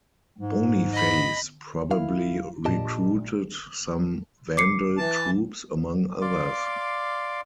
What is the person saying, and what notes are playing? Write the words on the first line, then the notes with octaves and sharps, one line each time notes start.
Boniface probably recruited some Vandal troops among others.
G#2
D#5 B5
E4 F5
A#1 A#2 G4 D#5 A5
D6 C7 C#7
E3 A5
D5 F5 C6 D6